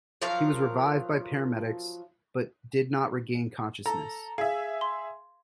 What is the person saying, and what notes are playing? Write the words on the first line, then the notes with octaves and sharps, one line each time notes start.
He was revived by paramedics but did not regain consciousness.
F3 F#3 A#4 F5
A4 A#5
G#4 E5 F5
C6